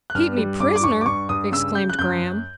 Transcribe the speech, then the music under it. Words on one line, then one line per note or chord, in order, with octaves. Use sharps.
"Keep me prisoner!" exclaimed Graham.
F#6
G2 F6
G3
G2 D6
D6
G2 C#6
D6
G2 C#6
G2 D#6
C#3 E6
C#3 G6
F#6
F#2 G6
F#2